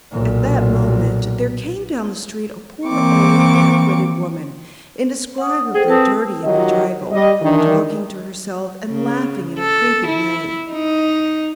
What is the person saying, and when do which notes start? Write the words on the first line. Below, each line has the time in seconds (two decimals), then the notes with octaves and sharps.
At that moment there came down the street a poor old half-witted woman, indescribably dirty and bedraggled, talking to herself and laughing in a creepy way.
0.12 B1 A#2
2.87 E3 A#3 C4 C#6 D6
5.38 F#5 D#6
5.74 G#4 A4 C5 G5
5.88 C4 B4 A5 D#6
6.44 D#3 F#3 D#4 F4 G4 D#5
7.11 G3 D#5
7.42 D#3 E3 D4
8.90 C#3
9.59 A4
10.07 E4
10.71 D#4